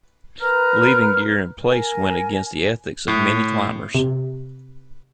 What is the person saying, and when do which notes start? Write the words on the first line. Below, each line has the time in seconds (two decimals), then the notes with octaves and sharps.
Leaving gear in place went against the ethics of many climbers.
0.40 A#4 B4 A#5 F6
1.68 A#4 G#5
3.08 A2
3.95 C3